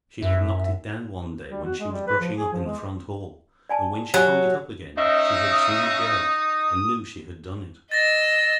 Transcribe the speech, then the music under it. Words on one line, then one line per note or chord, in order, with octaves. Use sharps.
She had knocked it down one day when she was brushing up in the front hall, and when she hung it up again, she had seen the break, and knew she had done it.
F#2 E5
G3
F#4
G#3
G3
B4
F3
G#4
F3
G#3
D5 G#5 A5
F#3 G4 G#5
C#3 C#4 D#4 D#5 E5
D#6
D#5 E6 A6 A#6